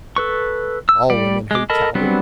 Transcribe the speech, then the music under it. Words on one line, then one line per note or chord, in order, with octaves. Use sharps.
All women hate cowards.
A4 B4 C#6
E6
G3 D5
G#3 D6
A4 A#4 D#5 A5 B5
F#3 G3 B3 C4 D4